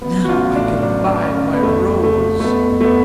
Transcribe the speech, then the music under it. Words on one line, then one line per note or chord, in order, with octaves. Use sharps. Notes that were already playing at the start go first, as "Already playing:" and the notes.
"Now I can buy my rose!"
A1 B3
F#4
A1 F4
A2 D4
F#3 D4
A1
C#4
A1
B3
F2 A3
F3
A3
F3
A3
F2 B3
F2
A3
B3